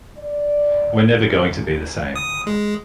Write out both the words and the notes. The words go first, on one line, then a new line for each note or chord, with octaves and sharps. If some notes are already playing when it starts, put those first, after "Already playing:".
We’re never going to be the same.
D5
D#6
G#3